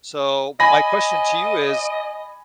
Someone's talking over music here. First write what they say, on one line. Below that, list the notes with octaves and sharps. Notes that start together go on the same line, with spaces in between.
So my question to you is
D#5 G#5 B5 A#6